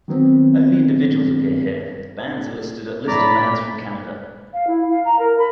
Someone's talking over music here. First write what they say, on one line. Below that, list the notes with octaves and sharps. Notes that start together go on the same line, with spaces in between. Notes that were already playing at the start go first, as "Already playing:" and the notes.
Only individuals appear here; bands are listed at List of bands from Canada.
D#3 F#3 B3 C4
A2 D5 A#5 B5 B6
F5
E4
F5
A#5
A#4
B5